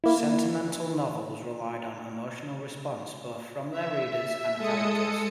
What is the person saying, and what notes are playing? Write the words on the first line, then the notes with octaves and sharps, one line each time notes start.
Sentimental novels relied on emotional response, both from their readers and characters.
A#3 E4
E5
G#3 A4 D#6 C#7